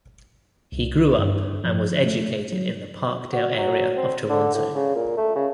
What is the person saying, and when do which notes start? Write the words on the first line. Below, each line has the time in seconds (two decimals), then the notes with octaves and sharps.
He grew up and was educated in the Parkdale area of Toronto.
0.72 C2
1.18 G2
1.64 F3
2.06 A3
2.53 F#3
3.33 F#4
3.57 F#3
3.96 C4
4.29 D3
4.54 A2
4.75 C#3
4.95 A#2
5.17 A3
5.36 C#3